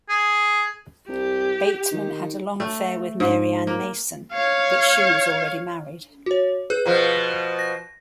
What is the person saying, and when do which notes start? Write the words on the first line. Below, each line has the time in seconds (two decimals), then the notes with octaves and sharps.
Bateman had a long affair with Mary Ann Mason, but she was already married.
0.09 G#4
1.08 C2 G4
1.91 D#3
2.60 A3
3.20 G#2
3.67 A#3
4.33 C#5 F5
6.26 F#4 C#5
6.70 G#4 B4 F#6
6.86 B2 F3
7.59 A#6